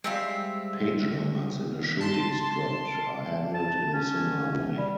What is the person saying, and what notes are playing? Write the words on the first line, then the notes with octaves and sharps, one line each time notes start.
Page numbers in a shooting script are handled in a similar way.
G3 G#3 C4 E5 F5
A5 C6
A5
C#4
G3